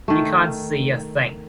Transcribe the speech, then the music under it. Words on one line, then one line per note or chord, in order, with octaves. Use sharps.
You can’t see a thing.
D#3 A3